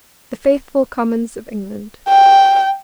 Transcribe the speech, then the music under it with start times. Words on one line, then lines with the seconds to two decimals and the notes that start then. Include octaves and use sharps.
"The faithful Commons of England."
2.08 G5